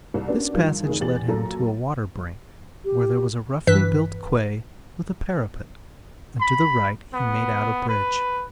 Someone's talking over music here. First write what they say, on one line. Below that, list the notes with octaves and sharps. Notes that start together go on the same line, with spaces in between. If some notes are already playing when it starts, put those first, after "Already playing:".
This passage led him to a water-brink, where there was a roughly built quay with a parapet, and to the right he made out a bridge.
C2
A#3 B3 C#4 D4 F#4 D5
G2 D#3 F3
F1 D#3 G#4
E2 G4 A6 F#7
F#2 A#2 A4 A#5
G4
G2 E3 B4 B6
B5
B3
B4